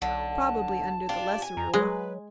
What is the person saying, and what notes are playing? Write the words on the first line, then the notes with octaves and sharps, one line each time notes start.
"Probably under the Lesser Rule."
B1 D3 A5
D4 F4 G4
G#5
F2 A#5
F#3 G#3 B4